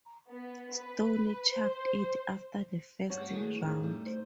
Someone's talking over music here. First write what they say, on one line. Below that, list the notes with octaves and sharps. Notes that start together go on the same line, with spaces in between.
Stone chucked it after the first round.
B3
B4
C5
G2 G3 F#4 C#5 A5
D#3 E3 G#3 A3
F2 A2 D#3 C#4 G#4
G3 A3 D#4
C5